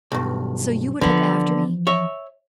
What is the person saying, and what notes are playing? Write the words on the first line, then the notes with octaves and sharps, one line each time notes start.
"So you would look after me?"
B1 G2
D3 E3 F3 B3
C#5 E5